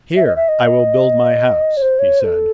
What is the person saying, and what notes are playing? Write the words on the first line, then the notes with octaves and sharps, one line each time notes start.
"Here I will build my house," he said.
E5
D#5
E5
D#5
C#5
C5
C#5
C5
A4